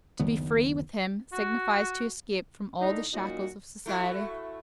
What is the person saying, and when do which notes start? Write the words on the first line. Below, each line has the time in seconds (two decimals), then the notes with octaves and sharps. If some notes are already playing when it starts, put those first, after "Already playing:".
To be free, with him, signifies to escape from all the shackles of society.
0.20 F#1 D2 D#3 B3
1.33 F#4
2.79 A2 D3 D4 D#4
3.13 F#2 A#2 F#3 D#4 F#4
3.86 A3 E4 F#4